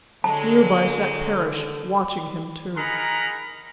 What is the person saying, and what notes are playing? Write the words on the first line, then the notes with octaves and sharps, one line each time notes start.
Near by sat Parrish, watching him too.
D3 F#3 G#3 A5
D#4 G#4 A#4 F#5 A#5 B5